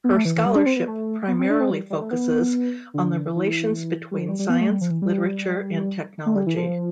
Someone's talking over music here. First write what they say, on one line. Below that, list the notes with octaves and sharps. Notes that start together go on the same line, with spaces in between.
Her scholarship primarily focuses on the relations between science, literature, and technology.
B3
A3
E3
E3
G3
D4
C4
B3
A3
B3
C4
D4
C4
G3
G3
A3
B3
D3
E3
G3
F3
G3
G3
B3
A3
G3
F3
E3
G3
A3
G3
E3
F3